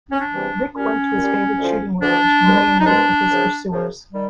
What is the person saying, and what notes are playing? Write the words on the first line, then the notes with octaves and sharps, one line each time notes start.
Rick went to his favorite shooting range and lay in wait for his pursuers.
C#4
D4
E2 C3 E3 G3
A#2 G3 C#4
A#2 G3
D2 D3 F3
D2 D3 F3 D4
C2 B2 G#3
D#4
C2 B2 G#3 D4
F#2 C#3 F3
F#2 C#3 F3
D#3 G3